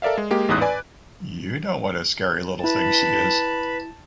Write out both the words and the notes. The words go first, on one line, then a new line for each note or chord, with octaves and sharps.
You know what a scary little thing she is.
A4 A#4 D5 E5 F5
G#3
G#3 A#3 G4
A1 E2 G#2 D#6 F#6
B4 D5 G#5
E4 B4 A5 B5